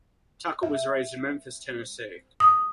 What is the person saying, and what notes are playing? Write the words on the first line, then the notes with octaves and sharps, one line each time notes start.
Tucker was raised in Memphis, Tennessee.
E5
D#6